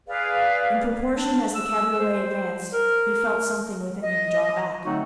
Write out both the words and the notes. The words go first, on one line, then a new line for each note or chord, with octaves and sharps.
In proportion as the cabriolet advanced, he felt something within him draw back.
G#4 B4 D5 F5
D4
E6
C5
A#4
D#5
D3 F#3 A3 C4 D#4 F#4